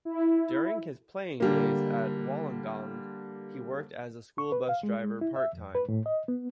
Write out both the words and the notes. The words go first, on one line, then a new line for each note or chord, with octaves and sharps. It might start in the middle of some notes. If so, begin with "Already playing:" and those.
During his playing days at Wollongong he worked as a School Bus driver part-time.
E4
D3 G3 A#3
C#6
B4
F5
G#3
E4
E5
F2
B4
A2
D#5
B3